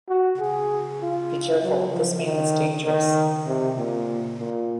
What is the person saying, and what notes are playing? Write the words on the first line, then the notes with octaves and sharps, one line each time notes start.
Be careful, this man is dangerous.
F#4
G#4
F4
F#3
F3
D#3
D#3
C3
A#2
A#2